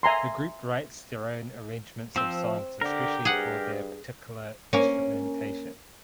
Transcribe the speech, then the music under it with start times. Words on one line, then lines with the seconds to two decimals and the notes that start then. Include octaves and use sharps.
The group writes their own arrangements of songs especially for their particular instrumentation.
0.03 E5 G#5 A#5 C6
2.16 F3 C4 E6
2.81 D3 G4 A#4
3.25 G2 G#4 F#5
4.73 A#3 C#4